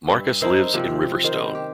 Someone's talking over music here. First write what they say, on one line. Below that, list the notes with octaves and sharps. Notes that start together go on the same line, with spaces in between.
Markus lives in Riverstone.
G2 E5
D#4 E4 A#4 C5
C3 F3 C4
D#3 C5
G4